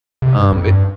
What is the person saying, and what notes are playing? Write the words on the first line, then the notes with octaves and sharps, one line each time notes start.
Um, i
C3
G2
F2
G2